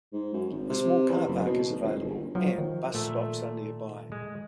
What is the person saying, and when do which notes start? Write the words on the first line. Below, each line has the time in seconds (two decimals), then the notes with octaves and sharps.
A small car park is available, and bus stops are nearby.
0.13 G#2
0.33 F#2
0.51 G#1
0.69 C3
1.09 E2
1.28 F#1
1.46 B2
1.70 G#1
1.83 D#1
2.02 G1
2.35 F3 F#3
2.58 D#3
2.94 A#2 A3 E5
4.12 G#3